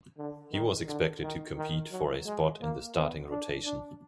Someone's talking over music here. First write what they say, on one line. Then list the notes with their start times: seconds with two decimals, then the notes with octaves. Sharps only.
He was expected to compete for a spot in the starting rotation.
0.18 D3
0.52 D#3
0.87 D3
1.22 D#3
1.56 D#3
1.91 F#3
2.26 G#3
2.61 A#3
2.95 B3
3.30 D4
3.65 D4